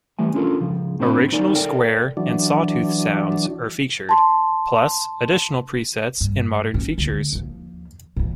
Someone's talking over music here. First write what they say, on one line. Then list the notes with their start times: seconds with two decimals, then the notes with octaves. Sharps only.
Original Square and Saw tooth sounds are featured, plus additional presets and modern features.
0.19 E3 G3 A3 G#5
0.34 C#4 D4 F4 A4 A#4
0.60 C#2 F3
0.99 A2 C4 D4 C5 F5 B5
1.32 D#2 D#4 A#4 D5 G#5
1.54 A4 A#4 D5 G5
2.17 E3 F#3 D4
4.09 A5 C6
6.21 G2
6.74 C#4
6.98 D2
7.32 D#2 F3
8.16 A#2 E3